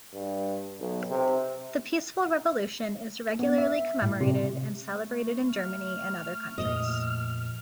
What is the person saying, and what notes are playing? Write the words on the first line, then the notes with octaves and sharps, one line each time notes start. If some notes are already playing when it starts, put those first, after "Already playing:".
The peaceful revolution is regularly commemorated and celebrated in Germany and other countries.
G2
B1
C3
B3
E5
A2
C3
A3
F6
F2 A#2 D#5 F6